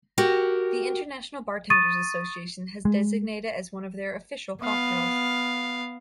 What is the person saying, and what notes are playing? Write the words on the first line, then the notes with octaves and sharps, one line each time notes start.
The International Bartenders Association has designated it as one of their Official Cocktails.
F#4 G4 A#4
C#6 D#6 A6 D#7
G#3
B3 F5